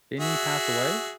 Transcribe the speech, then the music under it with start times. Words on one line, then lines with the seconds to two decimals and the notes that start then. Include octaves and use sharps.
Didn't he pass away?
0.20 F#4 G#4 E5